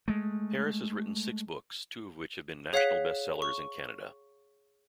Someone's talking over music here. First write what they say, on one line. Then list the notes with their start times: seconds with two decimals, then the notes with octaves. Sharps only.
Harris has written six books, two of which have been national best-sellers in Canada.
0.08 G#3 A3
2.73 G#4 C#5 F5 F#5 F#6 B6
3.42 C#6